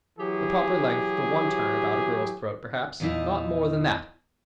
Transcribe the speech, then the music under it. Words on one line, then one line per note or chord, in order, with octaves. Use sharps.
The proper length for one turn about a girl’s throat, perhaps; not more than that!
E3 F#3 G4 G#4
E2 A#2 D#4 E4 D#5